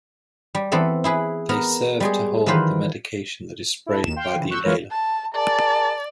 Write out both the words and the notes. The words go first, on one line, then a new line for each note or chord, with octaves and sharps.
They serve to hold the medication that is sprayed by the inhaler.
G3
E3 B3 C4 A4 E5
E4 G#4 B4
B3 A#4
G3 G#3 G#4
D#3 E3 F#3 F4 B4 C5
E4 A4
D#2 E7
F5 G5 C6
C#3 E3
C#6 E6 F#6 G6
E3 G#3 F4 A#4 B4 C#5
A5
G#4 A#4 D5 A5